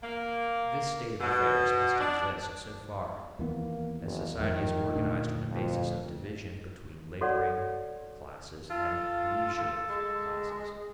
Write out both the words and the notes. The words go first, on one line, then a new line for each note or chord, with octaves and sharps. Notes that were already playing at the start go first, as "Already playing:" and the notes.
This state of affairs must exist so far as society is organized on a basis of division between laboring classes and leisure classes.
A#3
B2
D4
D#2 E3 A#3 B3
F#1
F2 G#2 D#3
D2 A#2 D4
F2
F#4 A4 C#5 D5 F#5
F4 A4
G#3